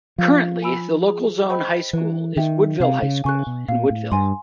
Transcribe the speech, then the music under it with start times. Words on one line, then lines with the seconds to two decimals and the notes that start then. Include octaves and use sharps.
Currently, the local zone high school is Woodville High School, in Woodville.
0.18 F3 F5
0.62 G#5 B5 E6
1.07 G#4
1.50 C5 D#5 G5 B5
1.93 E3 B4
2.37 D#3 E5 G5
2.80 C3 F5
3.03 C#3
3.24 C#3 G#5 C#6 F#6
3.47 B2
3.68 A#2 F5
3.90 A2
4.12 G2 G#5 C6